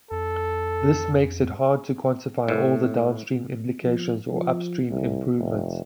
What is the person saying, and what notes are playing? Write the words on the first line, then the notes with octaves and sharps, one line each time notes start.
This makes it hard to quantify all the downstream implications or upstream improvements.
F2 A4
A2
F3
F3
C2
F1